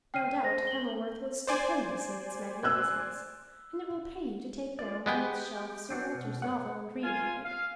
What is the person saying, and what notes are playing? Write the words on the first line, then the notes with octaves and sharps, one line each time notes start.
No doubt Kenilworth was stupendous in its magnificence, and it will pay you to take down from its shelf Sir Walter's novel and read about it.
G5 F6 C7 D#7
C5 A#6
F#7 G7
C5 D5 G#5
E6 F#6 G#6
F4 D5
G#3 B3 G4 G5
C4 D4 F#4
B2
G2 C#5 F#5
F4 G#5
F5